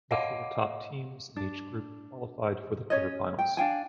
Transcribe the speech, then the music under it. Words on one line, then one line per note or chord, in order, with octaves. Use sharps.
The four top teams in each group qualified for the quarter-finals.
C#5 D#5 F5 F#5 D6
D4
C#4 C#5 D#5
G5
D4 F5 G5 G#5